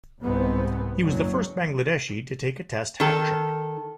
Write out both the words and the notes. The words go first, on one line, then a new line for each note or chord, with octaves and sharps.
He was the first Bangladeshi to take a Test hat-trick.
C2 G#2 B3 C4
F#1 F#3
D#3 A4